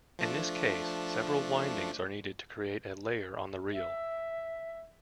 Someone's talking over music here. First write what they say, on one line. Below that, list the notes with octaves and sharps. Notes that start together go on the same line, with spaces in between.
In this case, several windings are needed to create a layer on the reel.
F3 A3 D4
E5